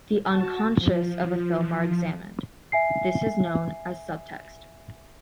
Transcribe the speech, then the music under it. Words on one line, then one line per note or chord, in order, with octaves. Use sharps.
The 'unconscious' of a film are examined; this is known as subtext.
F#4 A5
F3
E5 G#5 C7